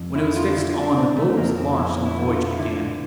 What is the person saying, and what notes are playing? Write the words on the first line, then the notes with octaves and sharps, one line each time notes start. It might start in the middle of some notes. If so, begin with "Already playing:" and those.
When it was fixed on, the boat was launched and the voyage began.
Already playing: F2
D3 E4
F4
D4
D3 E4
D4
D3 C4
A3
F2 A#3
C4
F2 E4
E4
D3
F4
D3 E4